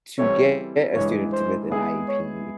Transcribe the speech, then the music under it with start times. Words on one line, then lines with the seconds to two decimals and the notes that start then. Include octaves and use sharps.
To get a student with an IEP,
0.18 E3 G3 C4 E4 A4 C#5
0.94 G2 E3 G#3 C#5
1.33 C5
1.70 G#3 B3 E4 G#4
2.08 C#5